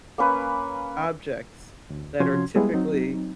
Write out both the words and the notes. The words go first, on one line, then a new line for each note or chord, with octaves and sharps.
objects that are typically
A#3 C#4 B4
D2
C3 F3 C#4 F#4 C6 G#6
G3 G#3 B3 E4 G#4
F#3 C4 D#4